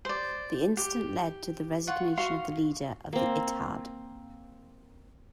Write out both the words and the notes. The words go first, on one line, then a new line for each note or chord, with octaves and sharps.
The incident led to the resignation of the leader of the "Ittehad".
C5 D5
G4
F4 F#5 C#6
F#4 F5 C6
A#3 C4